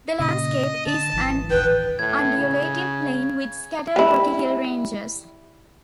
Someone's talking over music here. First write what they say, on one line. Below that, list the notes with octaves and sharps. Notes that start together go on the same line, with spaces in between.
The landscape is an undulating plain with scattered rocky hill ranges.
A#2 C#3 D#5
D3 A5
G#1 E3
D#1 A1 D#3 B4 G5
A2 G#6
C#3
G3 E4